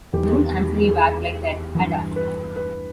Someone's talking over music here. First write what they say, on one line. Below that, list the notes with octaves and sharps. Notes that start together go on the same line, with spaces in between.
Don’t answer me back like that, Ada.
E2 D#3 G4
G#4
G2 E3
B4
B4